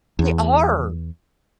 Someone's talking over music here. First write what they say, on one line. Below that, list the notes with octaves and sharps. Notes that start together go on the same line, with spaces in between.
They are.
E2